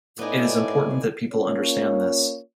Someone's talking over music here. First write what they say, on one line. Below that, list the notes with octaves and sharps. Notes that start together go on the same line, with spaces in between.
It is important that people understand this.
A2 B3 D#4 D5 G#5
A#3 C#4 F4 C#5